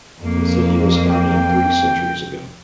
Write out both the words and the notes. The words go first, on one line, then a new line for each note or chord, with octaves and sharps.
The city was founded three centuries ago.
F2 A#3
G5